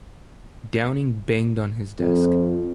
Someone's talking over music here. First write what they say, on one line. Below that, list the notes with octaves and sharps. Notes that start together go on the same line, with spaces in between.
Downing banged on his desk.
F2